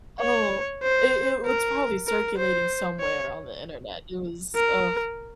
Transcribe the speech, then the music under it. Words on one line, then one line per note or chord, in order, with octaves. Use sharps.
Oh, i it well, it's probably circulating somewhere on the internet, it was, ugh,
C#5
C5
A#4
A#4
C5
C#5
A#4